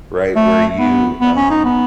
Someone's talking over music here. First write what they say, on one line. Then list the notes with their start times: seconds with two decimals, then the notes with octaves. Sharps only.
right, where you, um,
0.36 A3
0.79 B3
1.21 B3
1.37 C#4
1.50 D#4
1.65 B3